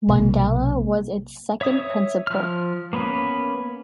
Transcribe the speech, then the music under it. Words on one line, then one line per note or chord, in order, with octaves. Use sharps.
Mundella was its second Principal.
B1 C3 A#3
C#5 E5 D#6
F3 F6
A#3 B3 C#4 B4